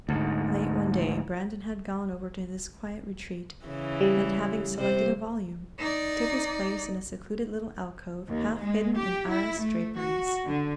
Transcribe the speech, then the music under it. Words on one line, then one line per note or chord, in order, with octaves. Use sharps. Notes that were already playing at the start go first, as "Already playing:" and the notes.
Late one day Brandon had gone over to this quiet retreat, and having selected a volume, took his place in a secluded little alcove half hidden in arras draperies.
D2 G#2
C#3 E3
G3
C3 C5
D#4 D5
D#2
G#3
G4
E4
A3
F#4
D3